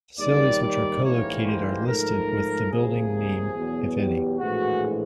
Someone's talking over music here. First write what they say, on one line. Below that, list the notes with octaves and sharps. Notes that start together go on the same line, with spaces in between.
Facilities which are co-located are listed with the building name, if any.
D#2 D#3 G3 D5
D5
A1 G#2 E3 G3 A#3 C#5
C5
G#2 F3 A3 A#4
C#2 C3 F3 A#3 G#4
E2 B2 F#3 B3
G4
A#1 A2 E3 G#3 F#4